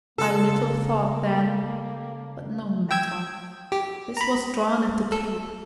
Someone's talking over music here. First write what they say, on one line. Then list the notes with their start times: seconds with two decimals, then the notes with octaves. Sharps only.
I little thought then--but no matter. This was drawn at the Cape.
0.18 C#3 A#3 A4
2.91 G5 E6 G#6
3.72 G4
4.17 A#5 B5
5.12 A4